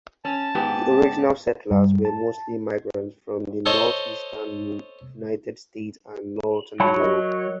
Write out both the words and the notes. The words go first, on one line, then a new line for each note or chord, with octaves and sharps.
The original settlers were mostly migrants from the Northeastern United States and Northern Europe.
C#4 A5
G#2 B3 G4
G2
A5
A4 C5 C#5 D#5 A5
F#3 C#5 A5 B5
A#4 D#5